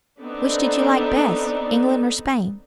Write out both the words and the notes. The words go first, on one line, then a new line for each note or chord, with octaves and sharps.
"Which did you like best--England or Spain?"
B3 C4 D4 D#4 A4 B4